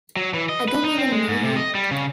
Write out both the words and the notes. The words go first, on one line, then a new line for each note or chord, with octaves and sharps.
I don't even know you.
F#3
E3
D#5
B4
D#4
C4
G#3
G#2
C3
D#5
G3
C#3